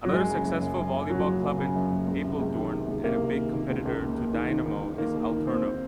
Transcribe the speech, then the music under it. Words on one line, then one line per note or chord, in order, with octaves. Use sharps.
Another successful volleyball club in Apeldoorn, and a big competitor to Dynamo, is Alterno.
F#3
F#2 G#3
C#3
F#2
F#2
F#2
F#2
C#3 F#3
C#3
F#2
C#3
F#2
F#2
C#2
C3
C#2
D#3
C3
C#2
C3 A#3
C3
D#3
D#3
C#2
C#2
D#2
D#2
D#3
D#3
D#3
D#3
D#3 A#3
D#2
D#3
D#2 C4
D#3